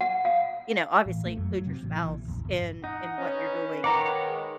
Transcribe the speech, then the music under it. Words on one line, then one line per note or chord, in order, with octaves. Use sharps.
you know, obviously include your spouse in in what you're doing
F#5
F5
A1
A3
F#2
F#3
C3
A1
E3
A#1
D#1
G1
D#4 F#5
C#4 B4
D#3 C#5 F#5 A#5 D6
G#3